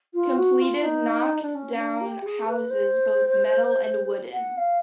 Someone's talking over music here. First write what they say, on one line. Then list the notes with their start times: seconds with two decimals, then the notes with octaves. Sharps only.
Completed knocked down houses both metal and wooden.
0.14 F4
0.37 F#4
0.61 F4
0.84 D#4
1.42 D4
1.55 C#4
1.77 D4
2.01 G4
2.25 G#4
2.48 B4
2.70 C5
4.33 F#5
4.57 F5